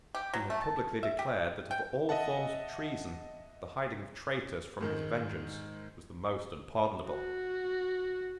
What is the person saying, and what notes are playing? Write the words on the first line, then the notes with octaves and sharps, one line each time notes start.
He had publicly declared that of all forms of treason the hiding of traitors from his vengeance was the most unpardonable.
G4
F#3
A3
A5
E5
G4
G5
D#5 E5 F#5 A5
G#2 D#3 G#3
F#4